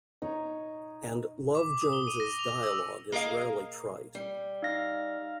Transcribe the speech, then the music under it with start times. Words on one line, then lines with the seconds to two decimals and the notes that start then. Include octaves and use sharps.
And "Love Jones"'s dialogue is rarely trite.
0.22 D#4 C#5
1.55 D6
1.82 D#6
1.93 G7
2.07 D#7
2.20 A#6
2.39 F7
2.63 E6
3.12 A#3 G#4 A#4 D#5 F5
4.15 G3
4.62 D#4 F5 A#6